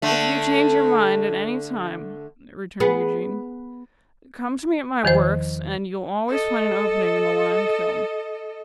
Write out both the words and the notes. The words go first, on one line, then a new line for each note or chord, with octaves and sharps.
'If you change your mind at any time,' returned Eugene, 'come to me at my works, and you'll always find an opening in the lime-kiln.'
D3 A3
B3 G#4
E2 D#3 F3 C5
A4 D#5